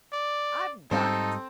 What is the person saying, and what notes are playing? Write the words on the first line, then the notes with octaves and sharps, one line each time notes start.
I've got it.
D5
G#2 G3 C4 D#4 A4 C5